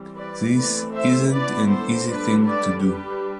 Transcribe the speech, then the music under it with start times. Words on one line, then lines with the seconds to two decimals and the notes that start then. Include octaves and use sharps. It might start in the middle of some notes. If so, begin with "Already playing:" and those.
This isn’t an easy thing to do.
Already playing: E3 G3 C4
0.16 B4 D5
0.55 E3 A3 C4 B4 D5
0.93 C5 E5
1.31 E3 B3 D4 B4 D5
1.69 A4 C5
2.07 D3 G3 D4 B4 D5
2.46 B4 D5
2.84 G3 D4 G4 B4